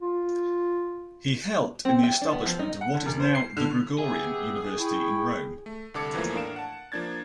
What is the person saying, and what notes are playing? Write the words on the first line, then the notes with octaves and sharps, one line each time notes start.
He helped in the establishment of what is now the Gregorian University in Rome.
F4
C4
G5
D4
B3
F3
D#4
F#5
D3
E1
C5
C7
D3
B3 G4 G#4 E5
E4 G5 C#6
A3
C2 D3 A4 D6 G#6 C#7
E2 E3 F3 A3 A#3
A2 D4 A#4 F5 D7 E7
F#5 A5
F3 A#3 D4 G#6 A6